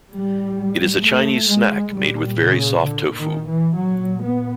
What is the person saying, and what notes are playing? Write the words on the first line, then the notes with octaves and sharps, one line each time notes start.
It is a Chinese snack made with very soft tofu.
A2 G3
A3
G#3
A#2 G3
C#3
D3
D#3
E3
A#2 F#3
B3